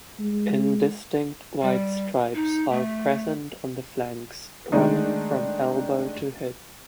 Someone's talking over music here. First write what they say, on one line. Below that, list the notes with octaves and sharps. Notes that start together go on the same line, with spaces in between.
Indistinct white stripes are present on the flanks, running from elbow to hip.
G#3
G3
D#4
A3
D#3 G#3 A3 D4 D#4